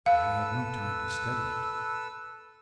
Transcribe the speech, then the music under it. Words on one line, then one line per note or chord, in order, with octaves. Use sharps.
But I had no time to study it.
A4 B4 F5 E6